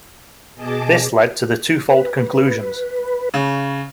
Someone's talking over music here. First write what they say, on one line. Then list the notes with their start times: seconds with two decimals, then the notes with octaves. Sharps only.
This led to the twofold conclusions.
0.55 B2 G#4 D#5 A5 D6
1.91 B4
3.34 C#3